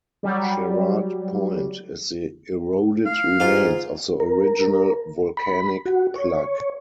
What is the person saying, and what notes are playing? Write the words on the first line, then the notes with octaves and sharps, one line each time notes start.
Sherrard Point is the eroded remains of the original volcanic plug.
F#3 G3
F5
G#2 F4
A#4
B5
F#4
C#5